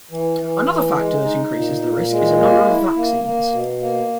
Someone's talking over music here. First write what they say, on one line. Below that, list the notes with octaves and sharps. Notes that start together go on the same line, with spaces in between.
Another factor that increases the risk is a number of vaccines.
E3
E3
E3
G#3
D#4
A#2
A#2
G#3
A#3
E4
A#3
A#3
B2
A#3